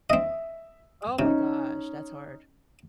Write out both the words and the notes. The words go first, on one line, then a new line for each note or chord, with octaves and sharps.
Oh my gosh. That's hard.
C4 D#5 E5
C3 C#4 D#4